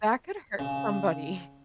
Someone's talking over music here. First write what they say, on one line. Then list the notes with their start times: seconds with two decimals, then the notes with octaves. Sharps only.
That could hurt somebody.
0.59 C#3